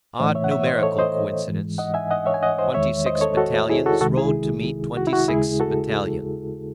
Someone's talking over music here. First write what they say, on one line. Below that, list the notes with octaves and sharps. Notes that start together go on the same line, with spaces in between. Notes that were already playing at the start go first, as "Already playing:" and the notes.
Odd numerical coincidence,--twenty-six battalions rode to meet twenty-six battalions.
A2 E3 A3 C5 D#5
C#5 E5
F#5
C#5 E5
C5 D#5
A4 C#5
C5 D#5
G#2 E3 G#3
D#5 F#5
E5 G#5
D#5 F#5
C#5 E5
G#5
D#5 F#5
C5 D#5
E2 D#3 G#3 C#5 E5
C5 D#5
A4 C#5
F#4 A4
E4 G#4
F#4 A4
C2 C3 D#3 G#3 F#4 A4
E4 G#4
F#4
E4
F#4
D#2 C#3 G#3 E4 G#4
F#4 A4